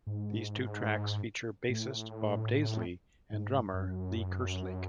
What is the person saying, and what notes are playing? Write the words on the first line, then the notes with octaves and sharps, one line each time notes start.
These two tracks feature bassist Bob Daisley and drummer Lee Kerslake.
G#2
A2
G#2
F#2